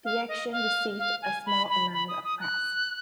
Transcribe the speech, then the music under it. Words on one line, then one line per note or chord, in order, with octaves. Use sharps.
The action received a small amount of press.
F5
D#5
F5
F5
G#5
B5
B5
B5
D#6
D#6
F#6